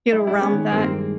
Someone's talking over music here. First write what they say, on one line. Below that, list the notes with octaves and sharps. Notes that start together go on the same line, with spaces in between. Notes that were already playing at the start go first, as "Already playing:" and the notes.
get around that.
G#3 E4
D4 E4
G#3
B3 C#4
D#3
G2 A#3 C4
G#3